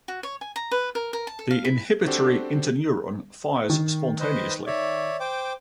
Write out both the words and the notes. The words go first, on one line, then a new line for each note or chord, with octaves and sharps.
The inhibitory interneuron fires spontaneously.
F#4
C#5
G#5
A#5
B4
A#4
A#4
A5
A4
F5
E4
C4 D4 F#4 G4 A4 C5
D#3
B4 C5 D#5
C#5 D5 E5
C5 G5 D6